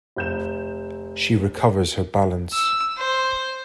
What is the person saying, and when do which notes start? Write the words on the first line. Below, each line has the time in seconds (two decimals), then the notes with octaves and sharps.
She recovers her balance.
0.16 F1 G6 E7
2.53 E6
2.97 C5